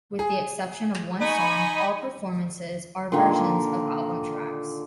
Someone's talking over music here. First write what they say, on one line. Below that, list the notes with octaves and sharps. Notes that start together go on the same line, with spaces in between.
With the exception of one song, all performances are versions of album tracks.
G#4
D#4 G#5 B5 C#6
A#2 D3 D#3 A#3